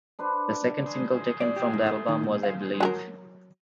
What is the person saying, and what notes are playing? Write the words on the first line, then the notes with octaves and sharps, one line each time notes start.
The second single taken from the album was "I Believe".
D4 B4 C5
D5
G4
G#2
A3
D#3
A#2
F5
F#3 G#4 A#4